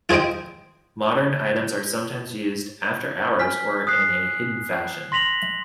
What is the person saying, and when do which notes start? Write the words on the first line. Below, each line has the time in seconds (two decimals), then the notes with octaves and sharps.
Modern items are sometimes used "after hours" or in a hidden fashion.
0.09 F4 G#4 C5 D#5 G5
3.39 G#5 F6 B6
3.87 D#6 F#6 C7
5.12 C6 A#6 B6 F7 F#7